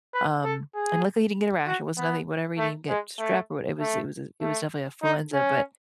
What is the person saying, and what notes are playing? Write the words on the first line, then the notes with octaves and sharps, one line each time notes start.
Um, and, luckily, he didn't get a rash, it was nothing whatever, he didn't get strep, or what it was it was a it was definitely influenza. But,
B4
A4
G#4
F#4
B3
A3
G#3
A3
A3
A3
D#4
C#4